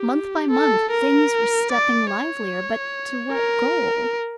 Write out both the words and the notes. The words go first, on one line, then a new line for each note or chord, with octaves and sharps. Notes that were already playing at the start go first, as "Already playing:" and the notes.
Month by month things were stepping livelier, but to what goal?
Already playing: G4
A4
A#4
D5
C#5
A#4